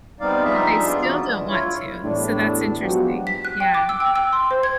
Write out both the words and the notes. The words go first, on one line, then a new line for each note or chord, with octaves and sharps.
But they still don't want to. So that's interesting, yeah.
G3 B3 C4 D#4 D5 F5
F3 G3 D4 D#4 G#4 E5
B3 F4 D5
E3 F#4
G#3 D4
E4 F4 C#5
E2 A2 G3 D4
F3 F#3 G#3 B3 F#4 G4
B6
F#6
G5
D6
E6
G5
E6
C6
C5
G#6